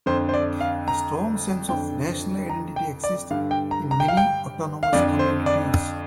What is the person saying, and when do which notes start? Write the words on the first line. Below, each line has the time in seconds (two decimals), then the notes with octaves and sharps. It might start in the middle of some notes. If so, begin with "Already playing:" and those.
A strong sense of national identity exists in many autonomous communities.
0.06 F2 D3 C5
0.29 C5
0.34 D5
0.60 F5
0.88 A#5
1.69 F2 D3 G5
2.50 A#5
2.76 G5
3.04 D5
3.31 G2 D3 F5
3.51 G5
3.71 A#5
3.91 A#5
4.00 G5
4.08 F5
4.17 G5
4.83 F5
4.92 F2 D3 D5
5.19 C5
5.46 D5